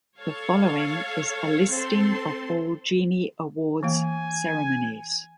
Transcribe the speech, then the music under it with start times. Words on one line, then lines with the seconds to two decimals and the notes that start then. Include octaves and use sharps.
The following is a listing of all Genie Awards ceremonies.
0.19 A4 C#5 F5
1.69 C4 A4 C6
3.83 E3 A#3 F5 G#5